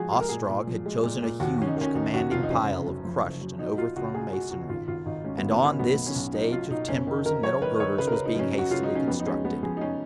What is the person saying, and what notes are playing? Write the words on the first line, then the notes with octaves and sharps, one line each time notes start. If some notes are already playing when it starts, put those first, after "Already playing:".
Ostrog had chosen a huge commanding pile of crushed and overthrown masonry, and on this a stage of timbers and metal girders was being hastily constructed.
Already playing: F3 G#3 F#4 G#4
G#3 G#4
A#4
A#2 G#4
A#2
F3
G#3
A#2
A#2
D#2 F#4
D#2 C#4
D#4
D#3 C#4
D#2 D#4
D#2 F#4
F1 F4
D#4
F#1 C#4
F#1
F#2
F3
F#1
F#2
B2 D#4
B2 F4
C#2 F#4
C#2 G#4
B2 F#4
C#2 F#4
G#1 F4
G#1 F4
G#1 D#4
G#2 C#4
G#1 B3
B3
D#3 C#4
C#4
B1 B3
B1 B3
C#4
B1
F#3 D#4
F#3 F4
B1 D#4
F#1 C#4
D#3
D#3 A#4
F#2 C#5
D#3 B4
D#3 C#5
C#3 B4
A#4
C#3 B4
D#4
F#2 C#4
F#3
F#4
C#3 F4
D#4
F#3
C#4
F2 B3
D#4
G#3 C#4
G#3 B3
F3 G#4
D#4
G#3 C#4